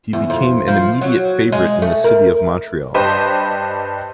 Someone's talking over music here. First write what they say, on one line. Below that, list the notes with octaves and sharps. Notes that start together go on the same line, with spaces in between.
He became an immediate fan favorite in the city of Montreal.
E2
F2
F3
F#3
G#3
A3
A#4
G2 G4 B4 C5 D#5 C6